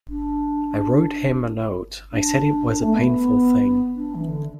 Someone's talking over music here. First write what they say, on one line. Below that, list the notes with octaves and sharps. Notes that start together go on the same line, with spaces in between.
I wrote him a note, I said it was a painful thing.
D4
D4
A3
B3
D4
E3
D3